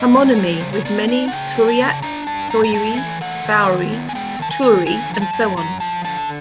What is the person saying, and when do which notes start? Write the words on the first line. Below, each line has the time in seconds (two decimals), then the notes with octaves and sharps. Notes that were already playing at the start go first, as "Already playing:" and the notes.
Homonymy with many Tauriac, Thoiry Thoury, Toury, and so on.
Already playing: G#2 D#5
0.14 G3 C5
0.27 C#5
0.38 G3
0.48 B4
0.60 C#3 C5
0.73 C#5
0.85 B3 D5
1.08 D#4 D5
1.28 F#5
1.32 C#3 G5
1.55 F#3
1.68 A5
1.80 C#3
2.02 D4 A#5
2.27 G2 A5
2.50 G2 A#5
2.64 A#5
2.74 A3 A5
2.97 E3 G#5
3.21 A3 F#5
3.45 D#3
3.68 D#3
3.92 B3
4.09 G#5
4.15 G#3 G5
4.39 D#3 A5
4.51 G#5
4.63 D#3
4.86 D3 G#5
5.10 F3 A#5
5.22 A5
5.33 F#2
5.57 F#2 A#5
5.80 F3 A5
6.05 D3 A5